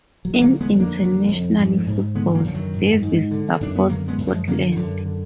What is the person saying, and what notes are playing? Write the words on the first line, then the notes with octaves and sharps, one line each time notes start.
In international football Davies supports Scotland.
F#3
G#3
D3 F#3 A#3
G#3 B3
F2
A#3 D4
D3
F2
G#2
G#2
D3 G#3 B3
F#3 A#3
F#2 F3
D#3 F#3
G#2
G#2
D3
F#2 D4
B3
D3 F#3 A#3
G#3 B3
F#2
F3 G#3
D3 F#3 A#3
D#3
F#2 D3
D3